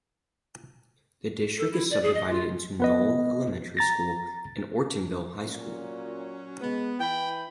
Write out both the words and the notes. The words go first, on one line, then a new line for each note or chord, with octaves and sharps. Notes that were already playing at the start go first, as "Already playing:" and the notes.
The district is subdivided into Knoll Elementary School and Ortonville High School.
A4
E4
D5
G#4
D#5
F4
B3 B4 D#5
A#5 A6 A#6
A#2 F#3 C#4
G#3 B3
E3 E4 G5 B5